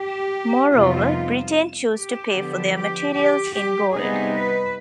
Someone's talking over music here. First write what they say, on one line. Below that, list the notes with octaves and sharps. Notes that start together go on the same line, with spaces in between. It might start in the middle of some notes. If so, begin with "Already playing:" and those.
Moreover, Britain chose to pay for their materials in gold.
Already playing: G4
F2 C3 G3 B3 D#4 F4
G4
D3 F3 B3
G4
G4
G4
C3 G3 B3 D#4 G#4
B4